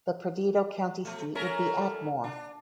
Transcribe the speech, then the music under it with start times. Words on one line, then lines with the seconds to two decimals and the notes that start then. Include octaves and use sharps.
The Perdido County seat would be Atmore.
1.05 B2 A3
1.35 A3 C#4 A#4
2.24 D4